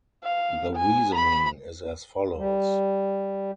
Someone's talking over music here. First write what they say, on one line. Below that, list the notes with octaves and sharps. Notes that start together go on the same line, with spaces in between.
The reasoning is as follows.
F5
G#5
B5
G3